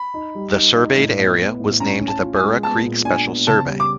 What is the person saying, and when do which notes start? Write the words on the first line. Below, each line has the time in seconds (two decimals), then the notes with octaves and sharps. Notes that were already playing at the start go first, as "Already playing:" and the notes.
The surveyed area was named the Burra Creek Special Survey.
Already playing: B5
0.14 D#4
0.35 G3
0.56 D#4
0.76 D#4
0.97 A2
1.18 B3
1.39 B3
1.60 A2
1.80 C#4 A#5
2.01 C#4
2.08 A5
2.22 F4
2.36 G#5
2.43 G#3
2.63 B3 A5
2.85 A#2
3.05 D4 G#5
3.26 B3
3.47 C#3 A5
3.68 G3
3.80 D6